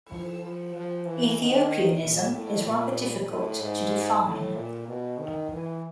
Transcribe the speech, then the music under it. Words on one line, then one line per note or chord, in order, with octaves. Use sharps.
Ethiopianism is rather difficult to define.
F3
F3
F3
E3
D#3
A#2
A2
A#2
A2
G#2
A2
A#2
B2
D#3
E3